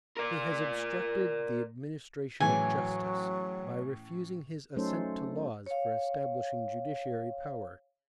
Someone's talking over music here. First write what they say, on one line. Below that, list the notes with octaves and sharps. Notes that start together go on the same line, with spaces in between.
He has obstructed the Administration of Justice, by refusing his Assent to Laws for establishing Judiciary Powers.
A#4 D5
A2 C#3 E3 F#3 G#5
F#3 A3 C#4 D#4 A4 C5
C#5 F5